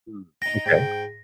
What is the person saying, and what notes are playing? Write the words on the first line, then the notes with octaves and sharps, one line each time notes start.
Mm, okay.
D#4 G5 A#6
G#2 G5